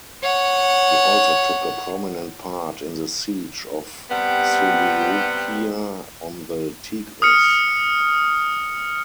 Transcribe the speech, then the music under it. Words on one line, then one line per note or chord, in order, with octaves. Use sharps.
He also took a prominent part in the siege of Seleucia on the Tigris.
C#5 F#5
C3 G3 B3 F#5
D#6 F6 C#7